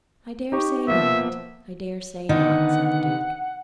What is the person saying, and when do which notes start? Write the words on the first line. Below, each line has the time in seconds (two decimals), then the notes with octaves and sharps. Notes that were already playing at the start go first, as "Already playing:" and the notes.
"I dare say not; I dare say not," said the Duke.
0.52 D#4 G4 C#6
0.88 F3 A#3 B3 E5
2.29 D3 D#3 B3 D#4 F#5